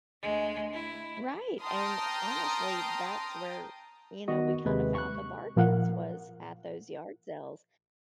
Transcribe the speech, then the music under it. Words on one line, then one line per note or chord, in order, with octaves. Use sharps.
Right and honestly, that's where, you know, we kinda found the bargains was at those yard sales
D2 G#3
E4
G5 A5 A#5 C6 D#6 F6
D#3 B3 F#4 D#5
D#2 C3 G#3 B4
C#6 F#6
A#2 F3 A#4 F5 F#5